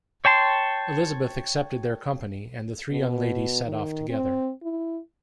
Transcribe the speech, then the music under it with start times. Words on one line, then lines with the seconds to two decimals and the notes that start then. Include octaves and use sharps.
Elizabeth accepted their company, and the three young ladies set off together.
0.25 C#5 G5 A5 C6
2.91 B2
3.65 D#3
4.09 C4
4.63 E4